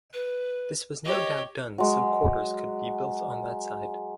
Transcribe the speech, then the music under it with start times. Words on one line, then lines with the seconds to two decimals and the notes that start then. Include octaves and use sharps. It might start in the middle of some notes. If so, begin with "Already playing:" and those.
This was no doubt done so quarters could be built on that side.
0.14 B4
1.05 G4 C#5 D#5
1.78 F#3 G#3